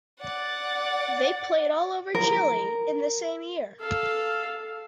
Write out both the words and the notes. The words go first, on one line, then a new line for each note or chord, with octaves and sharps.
They played all over Chile in the same year.
D5 F#5
A#4
A4 F5